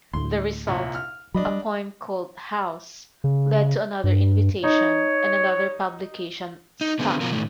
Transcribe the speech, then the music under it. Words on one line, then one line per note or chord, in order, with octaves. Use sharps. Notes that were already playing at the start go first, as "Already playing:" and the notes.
The result, a poem called "house", led to another invitation and another publication "Sta!".
D2 A2 C6
C2 A#2
F6
F#3 D4 D#5 B5
G3
C#3
G2
D#4 C#5
D#4
D3 B3 C4 G#4
B2 F3 F#3 B3 F4 A#4
A2 D#3 A3